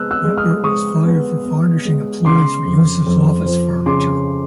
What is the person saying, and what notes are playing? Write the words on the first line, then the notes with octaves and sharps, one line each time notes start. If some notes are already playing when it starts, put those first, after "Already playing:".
Ratbert was fired for varnishing employees for use as office furniture.
Already playing: G#3 B3 E6 F#6
E6 F#6
G#3
D#6 F6
G#3 C#6 D#6
B3
B3
G#3
C#3 C6 D6
F2
F2
F3
C#3 C6 D6